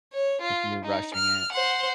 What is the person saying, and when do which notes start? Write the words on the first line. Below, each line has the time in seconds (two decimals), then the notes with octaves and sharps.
Like, we were rushing it.
0.13 C#5
0.42 F4
0.85 D#4
1.15 F6
1.53 C5 F#5